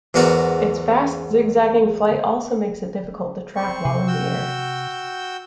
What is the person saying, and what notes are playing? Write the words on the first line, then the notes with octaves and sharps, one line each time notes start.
Its fast, zig-zagging flight also makes it difficult to track while in the air.
E2 G#2 B3 F#4 A#4 D5
C4 C#6
C3
F#4 G5 E6